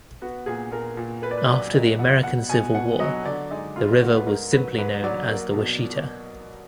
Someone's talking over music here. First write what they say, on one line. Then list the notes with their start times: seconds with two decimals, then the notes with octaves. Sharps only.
After the American Civil War, the river was simply known as the Washita.
0.22 B3 F#4
0.46 A#2 G#4
0.71 A#2 A#4
0.97 A#2
1.22 A#3 B4
1.31 D5
1.38 B4
1.48 F#3 D5
1.73 A#3 D#5
1.99 F2 F#5
2.23 B2 F#5
2.49 B2 G#5
2.75 B2 F#5
3.00 F#3 D#5
3.25 D3 D5
3.51 G#3 D#4
3.76 D2 F4
4.01 D3 F#4
4.17 B4
4.26 G#2 A#4
4.52 F#3 B4
4.78 G#2 B4
5.03 F#3 D5
5.29 A#3
5.54 B2